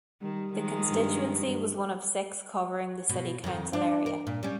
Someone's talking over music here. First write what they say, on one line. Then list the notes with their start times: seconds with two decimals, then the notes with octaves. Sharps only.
The constituency was one of six covering the city council area.
0.22 D#3 G3
0.53 D#3 F3 G#3
0.91 G2
1.46 G2
3.09 B2
3.44 F2 D#3
3.73 D4
4.06 A#4
4.27 A#2
4.43 G3 C#4